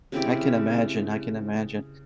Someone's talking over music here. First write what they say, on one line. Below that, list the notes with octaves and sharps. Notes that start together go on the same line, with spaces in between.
I can imagine, I can imagine.
C#3 C4 E4 G4